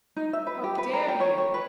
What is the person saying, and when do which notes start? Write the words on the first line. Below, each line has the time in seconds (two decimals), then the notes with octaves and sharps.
How dare you?
0.16 D#4
0.33 E5
0.47 B4
0.64 G4
0.78 B4
0.94 A#4
1.08 G5
1.20 C#5
1.38 C#5
1.54 B4